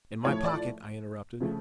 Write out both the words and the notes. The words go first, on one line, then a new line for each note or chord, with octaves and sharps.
"In my pocket!" I interrupted.
A2 F3 A3 C#5
D5
C#3 F3 A3